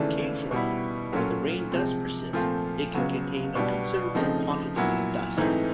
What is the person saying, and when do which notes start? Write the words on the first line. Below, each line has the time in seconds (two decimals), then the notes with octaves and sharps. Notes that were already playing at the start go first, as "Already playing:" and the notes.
Occasionally, when the rain does persist, it can contain a considerable quantity of dust.
Already playing: D#2 C#3 E3 A3 D4
0.51 B2 G3 B3 E4
1.12 A#2 F#3 A3 C#4 F4
1.72 C3 F3 G#3 C4
2.33 A#2 F3 A3 C4 F4
2.94 C#2 C#3 F#3 B3
3.55 B2 G3 B3 D4
4.15 C#3 F3 A3 C4 D#4
4.76 A#2 F#3 B3 E4
5.37 G#2 E3 A3 C4 D#4